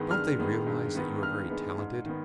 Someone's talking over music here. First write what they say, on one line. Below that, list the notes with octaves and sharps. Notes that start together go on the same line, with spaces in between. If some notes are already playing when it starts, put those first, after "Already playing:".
"Don't they realize that you are very talented?"
Already playing: G2 D#3 G#3 B3
G2 F6
D#3 G#3 B3
G2
D#3 G#3 B3
G2 F6
D#3 G#3 B3
G#2
D#3 B3